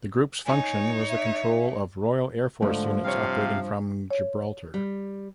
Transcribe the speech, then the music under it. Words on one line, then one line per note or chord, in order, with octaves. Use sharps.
The Group's function was the control of Royal Air Force units operating from Gibraltar.
D#4 C#5 G#5
E5
G#2 D3 F3 A3
G2 C3 C#5 F5
C#5
G3